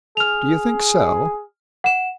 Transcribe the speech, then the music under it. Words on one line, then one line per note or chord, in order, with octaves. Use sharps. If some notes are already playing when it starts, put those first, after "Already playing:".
"Do you think so?"
G#4 F6 F7
F#5 E7